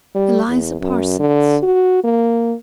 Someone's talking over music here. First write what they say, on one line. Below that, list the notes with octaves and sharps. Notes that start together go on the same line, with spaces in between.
"Eliza Parsons."
G3
E2
F#2
D3
F#4
A#3